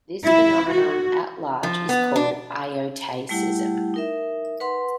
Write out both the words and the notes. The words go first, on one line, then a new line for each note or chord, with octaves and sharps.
This phenomenon at large is called iotacism.
E4
F#4
F3
B3
D4
G3 A3 E4 G4 F#5
D#4 A#4 E5
B4 F#5 C6